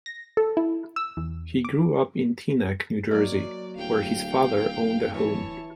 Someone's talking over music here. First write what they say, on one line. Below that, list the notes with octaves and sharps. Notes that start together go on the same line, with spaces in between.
He grew up in Teaneck, New Jersey where his father owned a home.
A#6
A4
E4
E6
E2
D6
F#3 A#3 D#4 D5
D1 F5 G5
E3 C#5 A5